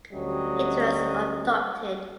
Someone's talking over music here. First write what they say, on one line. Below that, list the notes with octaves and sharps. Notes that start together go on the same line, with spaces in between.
It was adopted.
D2 F#3 G3 C#4 D#5